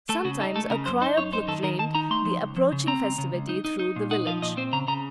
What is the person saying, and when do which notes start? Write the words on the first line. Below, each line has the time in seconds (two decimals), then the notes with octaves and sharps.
Sometimes a crier proclaimed the approaching festivity through the village.
0.09 A3 A4
0.24 C#3 F#4
0.40 D#4 A4
0.56 A3 A4
0.70 C#3 A#4
0.86 F#2 C5
1.02 D#4 C5
1.17 F#2 C#5
1.32 D#4 C5
1.48 D#3 A4
1.63 D#3 A#4
1.79 D#3 A5
1.95 D#4 A#5
2.10 A3 C6
2.25 F3
2.41 C#2
2.56 F3
2.72 C#3
2.87 C4 A#5
3.03 C#2
3.18 C#3
3.34 C#2
3.49 D#4
3.65 D#4
3.80 D#4
3.96 A#2
4.11 D#4 F#5
4.26 F3 F5
4.42 A#2 D#5
4.57 C4 C5
4.73 C#3 A#5
4.88 C#3 A#5